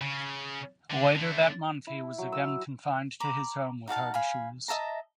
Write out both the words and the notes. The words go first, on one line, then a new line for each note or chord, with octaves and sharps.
Later that month he was again confined to his home with heart issues.
C#3
D3
D3 A3
E4
F#3
E6
A#5 B5 D6
D#4 F#4 F5 A5
F5 G#5 B5
D#5 E5 A5 A#5